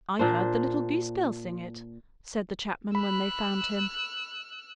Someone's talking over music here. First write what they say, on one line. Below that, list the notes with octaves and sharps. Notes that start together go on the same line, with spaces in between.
"I heard the little goose-girl sing it," said the chapman when they found him.
A#2 D4 C5
B5 E6 F#6